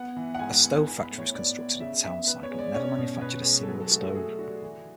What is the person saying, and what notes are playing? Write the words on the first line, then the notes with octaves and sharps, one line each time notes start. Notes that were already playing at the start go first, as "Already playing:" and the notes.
A stove factory was constructed at the town-site but never manufactured a single stove.
Already playing: B3 F#5
E3
F#5
G#2 G#5
B3
B3 G#5
B5
A2
C#5
B3 D5
B3
C#3 E5
B3 E5
B3 B4
C#5
G#3
D5
C#4 C#5
B2
B2 B4
G#3
A4
F#3 B4
A4
A3 F#4
F#4
A3 G#4
D4 F#4
E3